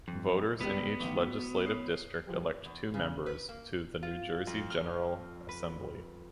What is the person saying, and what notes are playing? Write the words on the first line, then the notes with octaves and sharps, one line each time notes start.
Voters in each legislative district elect two members to the New Jersey General Assembly.
F2
C#2 G3 B3 D5
A1 D#3
F#4
C#5 D#6 C7
F3 G3
E2
C#3
B4
A#3
F4
F2
F6
B4